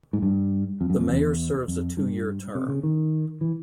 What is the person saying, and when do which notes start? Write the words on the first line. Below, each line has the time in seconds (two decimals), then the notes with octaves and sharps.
The mayor serves a two-year term.
0.13 G#2
0.22 G2
0.81 F2
0.90 F#2
1.00 F2
1.09 E2
1.68 F2
1.97 G2
2.55 C3
2.69 C#3
2.83 D#3
3.41 E3